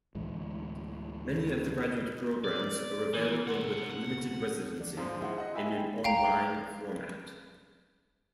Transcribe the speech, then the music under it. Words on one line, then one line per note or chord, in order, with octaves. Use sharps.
Many of the graduate programs are available with limited residency in an on-line format.
D2 A2 E3 G#3
D5
E3
C3 F#5
F#5
D4
D#2 G#2 D3 F3
G#3 E4 C5 F#5
D#5 F#5
E4 G4 E5 G#5 B5
F5 G5 A#5